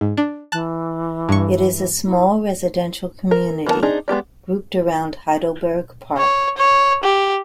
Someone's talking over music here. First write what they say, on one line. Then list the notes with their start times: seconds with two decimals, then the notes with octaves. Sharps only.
It is a small residential community, grouped around Heidelberg Park.
0.01 G#2
0.17 D4
0.52 E3 A5 F#6
1.29 G2 C#6
2.05 E4
3.31 A#4
3.66 E3 B3 G#4 A#4 A5
3.83 C4 D4 D#4 G#4
4.08 G#3 B3 G4 D5
6.18 C#5
6.57 C#5
7.03 G4